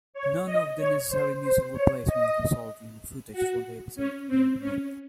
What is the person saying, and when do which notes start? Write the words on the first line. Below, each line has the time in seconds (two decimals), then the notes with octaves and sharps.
None of the necessary music replacements resulted in footage from the episodes being removed.
0.14 C#5
0.45 D#5
0.77 C#5
1.09 C5
1.42 C5
1.73 C#5
2.05 D#5
3.32 F#4
3.95 C#4
4.27 C4
4.59 C#4